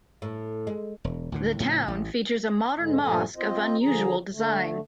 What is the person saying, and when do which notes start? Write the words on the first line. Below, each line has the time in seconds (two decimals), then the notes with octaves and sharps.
The town features a modern mosque of unusual design.
0.22 A2
0.67 G#3
1.04 E1
1.32 D2 A2 D3
1.60 A2 C#3 F3
1.88 A1
2.78 G#2 D3 G#3
3.00 G2 A#2 F3 A3 A4 G#5
3.37 C4 F4 C5 D#5
3.82 D3 F3 G#4 A#5
4.33 D3 A3